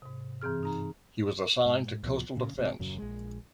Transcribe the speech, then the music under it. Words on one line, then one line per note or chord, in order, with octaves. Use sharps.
He was assigned to coastal defense.
G#2 C3
G2 E3 C4 G#4 F6
D#4 A#5
G#2
C#2 B2 F3
A#2 C#3
A1 C3
D#1 F#2 C#3 F#3
A#1 G#3